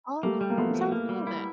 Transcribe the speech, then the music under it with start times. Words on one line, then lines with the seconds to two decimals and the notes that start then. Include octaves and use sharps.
Oh, I'm sorry to hear that.
0.23 G3 A3 A#3
0.41 G3
0.50 A#3
0.58 F3 A3 B3
0.75 F3
0.92 A#3
1.09 G3
1.27 E4